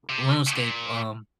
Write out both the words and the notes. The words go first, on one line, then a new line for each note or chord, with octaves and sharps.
RuneScape, um
C3
A#2